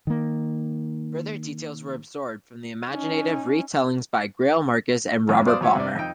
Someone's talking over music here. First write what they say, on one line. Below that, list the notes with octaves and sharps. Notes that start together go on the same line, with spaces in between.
Further details were absorbed from the imaginative retellings by Greil Marcus and Robert Palmer.
D#3 A#3
C#4 D#4
C2 F2 A2
F#3 B3 C5 D5 F5 D#6
F2 F#3 C#5 E5
C3 D5
F2 D#4 G5